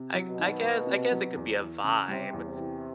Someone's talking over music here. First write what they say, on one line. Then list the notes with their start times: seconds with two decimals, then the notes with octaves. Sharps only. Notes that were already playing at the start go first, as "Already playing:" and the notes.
I I guess I guess it could be a vibe.
Already playing: C3
0.14 F#3
0.27 B2
0.39 D#3
0.63 A#3
0.87 C3
1.11 F#3
1.36 E2
1.60 E3
1.84 C#3
2.08 C3 G3
2.33 E2
2.44 C3
2.56 E3